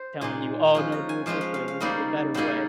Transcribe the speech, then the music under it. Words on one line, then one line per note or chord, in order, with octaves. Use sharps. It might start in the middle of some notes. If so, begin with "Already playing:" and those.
telling you, "Oh, no, do it this way. This is a better way."
Already playing: C5
A#2 G#3 D#4
F3 G#3 C#4 F4
A#5
G#5
F3 G#3 C#4 F4 F5
F5
F5
F5
C#3 G3 A#3 D#4 D#5
C#3 G3 A#3 D#4